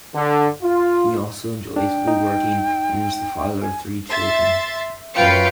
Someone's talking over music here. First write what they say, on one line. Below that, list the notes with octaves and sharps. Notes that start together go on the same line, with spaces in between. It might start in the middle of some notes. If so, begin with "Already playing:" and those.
He also enjoys woodworking and is the father of three children.
D3
F4
D4 G5
D#4
G#5
E5 C6 A6
F#2 F4 B4 F5 G5 C#7